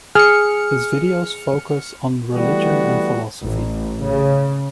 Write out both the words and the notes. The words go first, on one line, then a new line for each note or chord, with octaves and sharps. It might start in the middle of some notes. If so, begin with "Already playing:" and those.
His videos focus on religion and philosophy.
G#4 F6 C#7
E3 G3 A3 B3 F#4
A1
C#3